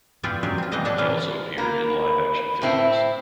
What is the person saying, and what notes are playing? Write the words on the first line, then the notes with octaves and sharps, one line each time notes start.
He also appeared in live-action films.
B3 E4 F4 G4 G#4 D5
F#3 G#3 G4 G#4 E5
C4 F4
B2 E3 B3 G4 D#5 F5
A2 D3 D4 C#5 F#5 A5
C3 E3 A#3 F4 F5
A#3 B5
A2 C4 E4